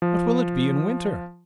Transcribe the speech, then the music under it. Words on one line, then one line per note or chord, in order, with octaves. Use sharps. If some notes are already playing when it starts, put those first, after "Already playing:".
"What will it be in winter?"
F3